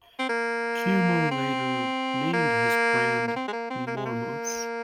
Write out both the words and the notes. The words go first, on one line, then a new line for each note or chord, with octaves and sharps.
Cuomo later named his band Mormos.
C4
A#3
C4
A#3
A#3
C4
G#3
A#3
C4
A#3
G#3
A#3